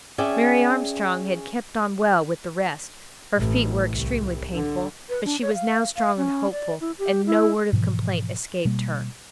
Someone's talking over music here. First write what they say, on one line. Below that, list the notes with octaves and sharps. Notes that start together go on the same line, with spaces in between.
Mary Armstrong had kept on well with the rest; her feet were extremely painful, but she was now strong and hopeful, and no word of complaint escaped her.
C#4 G#4 D5 E5 G5
A1
C2
D3
B4
D4
C#5
F5
F5
C#4
D5
E4
G4
E4
G#2 B2 E3 F3
B2 G3 A#3